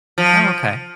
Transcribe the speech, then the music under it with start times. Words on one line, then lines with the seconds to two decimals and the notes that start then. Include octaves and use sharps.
Oh, okay.
0.18 F3